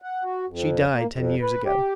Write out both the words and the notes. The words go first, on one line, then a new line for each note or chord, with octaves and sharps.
She died ten years ago.
F#5
F#4
F2
A#3
F2
B4
G4